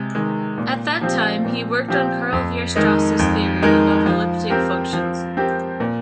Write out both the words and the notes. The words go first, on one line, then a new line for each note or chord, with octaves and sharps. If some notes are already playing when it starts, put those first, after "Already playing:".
At that time he worked on Karl Weierstrass's theory of elliptic functions.
Already playing: C3 G#3
D#3 G#3
A#2
F3 C4 G4
A#2
F3 C4 G4
F2
D#3 G#3 D#4 A#4
F2
D#3 G#3 D#4 A#4
F3
C4 G4 A#4
F3
C4 G4 A#4
A#2